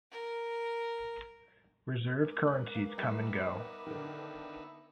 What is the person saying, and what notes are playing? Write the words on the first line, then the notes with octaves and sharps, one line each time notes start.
Reserve currencies come and go.
A#4
G#3 A#4 B4 D6
F#6
F5
G3 B3 D#4 E5
D3 D#3